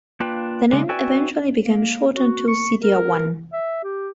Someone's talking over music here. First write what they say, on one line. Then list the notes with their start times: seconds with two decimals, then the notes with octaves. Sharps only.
The name eventually became shortened to "Sitiawan".
0.20 A#3 D4 F4 B4 G5
0.72 C#3 G#3 D4
0.89 F#4 B4 D5 E5 G5 G#5
1.64 A#3
2.16 F#4
2.47 C#6
2.82 A#4
3.53 E5
3.84 G4